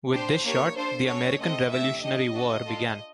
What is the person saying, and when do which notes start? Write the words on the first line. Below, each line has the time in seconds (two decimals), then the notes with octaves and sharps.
With this shot, the American Revolutionary War began.
0.12 D4 G4 C5
0.44 A#3 D4 G4 C#5
0.76 D4 F4 A4 C5
1.07 C#4 F#4 A4 C#5
1.39 A3 C4 F4 A4 D#5
1.70 A3 D4 G4 E5
2.02 D4 G4 D#5
2.33 D4 F#4 A4
2.66 D4 F4 A4